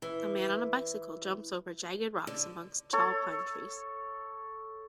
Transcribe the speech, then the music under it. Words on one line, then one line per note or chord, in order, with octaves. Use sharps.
A man on a bicycle jumps over jagged rocks amongst tall pine trees.
E3
D3
A4 C#5